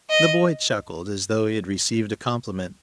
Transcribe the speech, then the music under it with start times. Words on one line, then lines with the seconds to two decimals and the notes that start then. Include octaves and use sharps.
The boy chuckled as though he had received a compliment.
0.10 D#5